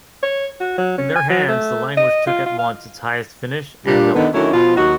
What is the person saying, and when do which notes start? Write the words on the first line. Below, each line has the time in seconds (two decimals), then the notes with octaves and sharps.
In their hands the language took at once its highest finish and melody.
0.23 C#5
0.60 F#4
0.78 F#3
0.98 C#4
1.16 G#5
1.30 F#3
1.48 A3
1.97 D#5
2.27 F4
2.46 F4
2.59 F5
3.86 A#2 G3 D4
4.14 D3 D#3 B3
4.34 D#3 F#3 A3 C#4 D4 E4
4.53 B2 F3 F4
4.77 D#2 F#3 D#4 F#4